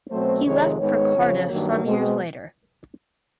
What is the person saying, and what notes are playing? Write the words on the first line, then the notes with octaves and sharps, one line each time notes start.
He left for Cardiff some years later.
B2 F#3 A3 C4 C5
F2 C3 D#3 G#3 C#5
G#2 D#3 G#3 B3 C#5
F2 C#3 F3
G2 D#3 F#3 A#3
B2 G#3 C4